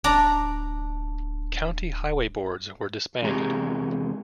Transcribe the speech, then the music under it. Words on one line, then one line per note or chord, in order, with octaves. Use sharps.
County Highway Boards were disbanded.
D1 D4 D5 A#5
E2 C3 G#3 G4 G#4 A#5